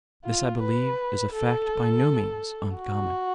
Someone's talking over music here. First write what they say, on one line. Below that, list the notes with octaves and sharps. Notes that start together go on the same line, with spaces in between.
This, I believe, is a fact by no means uncommon.
F4
B4
A4
F#4